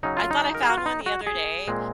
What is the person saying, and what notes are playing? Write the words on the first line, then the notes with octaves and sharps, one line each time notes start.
I thought I found one the other day,
C#3 F#3 C#4 D#4
F4
D#4
A#4
G#4
F#4
F4
D#4
F#4
G#4
A#2 G#3 C4